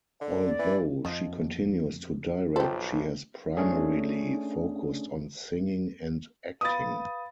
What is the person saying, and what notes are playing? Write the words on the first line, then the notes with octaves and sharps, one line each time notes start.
Although she continues to direct, she has primarily focused on singing and acting.
D3
D5
E3
F2 F3 D#5
B1 F4 G4 A4 C5
A3 C#4 D4 G#4
B4 F5 B5 D#6 A6